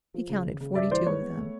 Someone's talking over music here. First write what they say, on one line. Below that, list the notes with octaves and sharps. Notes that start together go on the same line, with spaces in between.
He counted forty-two of them.
F3
C#3
C#3
C#3
G2 D5 E5
E3 C5 D5
G#3 B4 C#5
B3
A3